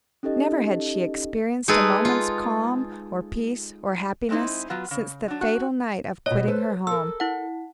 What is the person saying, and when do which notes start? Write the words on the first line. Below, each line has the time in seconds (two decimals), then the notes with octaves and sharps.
Never had she experienced a moment's calm, or peace, or happiness, since the fatal night of quitting her home.
0.23 C#4 D#4 G4 A4 D#5
1.68 G#3 D#4 G#4 A4 B4
2.05 F4
4.29 G#3 A3 C4 D#4 E4
4.70 F#3 B3 F4
4.91 C#3
5.28 F#3 D4
5.41 F#4
6.26 B2 C#5 D#5
6.48 A4 B4 C5
6.87 A4 A#4 E6
7.20 E4 F#5